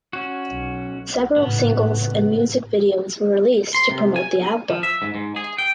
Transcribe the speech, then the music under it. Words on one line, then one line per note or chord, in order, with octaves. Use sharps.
Several singles and music videos were released to promote the album.
C#4 F#4
B1
G#1 A2 C#3 B3
C6
C3
G#5
F3
E5
G#2
G#2
G#4
G5